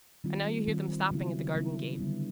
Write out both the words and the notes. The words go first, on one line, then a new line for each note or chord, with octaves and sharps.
And now you hear them stopping at the garden-gate!
D#3 G3 C4 F4
D#3 G3 C4 F4
C#3 F#3 B3 E4
C#3 F#3 B3 E4
D3 G3 B3